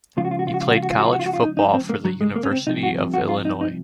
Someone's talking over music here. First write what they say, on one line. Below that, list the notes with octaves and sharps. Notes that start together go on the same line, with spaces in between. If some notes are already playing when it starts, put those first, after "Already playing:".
He played college football for the University of Illinois.
C#2 C#3 F3 F4
F#4
F4
F#4
F4
F#4
F4
F#4
F4
F#4
F4
F#4
F4
F#4
F4
F#4
F4
D#4
D#4
C4
A#3
F#3
G#3
A#3
C#4
C4
C2 C3 F3 D#4
F#4
F#4
F4
D#4
D#4